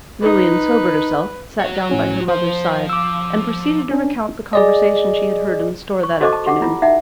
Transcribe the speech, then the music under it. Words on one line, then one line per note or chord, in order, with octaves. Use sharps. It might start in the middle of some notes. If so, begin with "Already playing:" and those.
Lilian sobered herself, sat down by her mother's side, and proceeded to recount the conversation she had heard in the store that afternoon.
D#4 B4
F#4 C#5
A2 C#4
F3 C5
D6 E6
C#4 D4
G#4 D5 D#5
C#6
F#4 A4 C5 D#5 C#6 D6
A5
G4 F#5 D6
E4 F4
D#4 E5 F#5